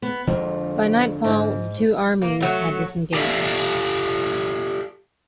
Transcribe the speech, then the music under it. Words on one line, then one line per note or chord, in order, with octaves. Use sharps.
By nightfall the two armies had disengaged.
B3
F2 D3 G#3 C4
G#2
A#3
F#3 A3
G4 A4 D5 E5 F5